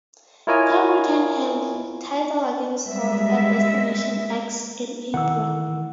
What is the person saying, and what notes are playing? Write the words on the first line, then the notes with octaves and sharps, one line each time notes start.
Kong retained her title against Bolt at "Destination X" in April.
E4 F4 A#4 C#5 D#5 G#5
G3 G#3 E5
D#3 E3 F#5 E6